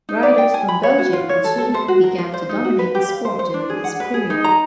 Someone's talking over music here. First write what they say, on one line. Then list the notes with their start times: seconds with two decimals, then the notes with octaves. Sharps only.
Riders from Belgium and Sweden began to dominate the sport during this period.
0.09 D#4
0.23 D5
0.38 G5
0.54 G#5
0.68 B5
0.83 C#5
0.98 F#4
1.13 F4
1.29 C#5
1.44 A4
1.58 A4
1.74 C5
1.88 F#4
2.04 A#4
2.18 F4
2.34 C5
2.49 D#4
2.65 F#4
2.79 B4
2.95 G4
3.09 F5
3.25 C5
3.39 C5
3.54 D4
3.70 G#4
3.84 F#5
4.00 B4
4.14 G#4
4.30 D#4
4.44 A#5